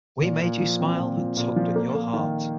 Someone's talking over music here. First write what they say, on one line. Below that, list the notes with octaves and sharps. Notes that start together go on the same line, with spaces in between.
We made you smile and tugged at your heart.
A#2
A#2
F3
C4
A#2
F3
A#2
F3
A#3
A#3
D#3